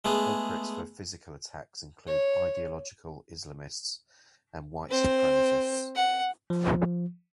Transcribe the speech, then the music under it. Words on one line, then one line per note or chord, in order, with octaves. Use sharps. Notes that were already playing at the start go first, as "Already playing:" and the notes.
Culprits for physical attacks include ideological Islamists and white supremacists.
G#3 A3 B3 G#4
C#5
C4 C5
F#5
F3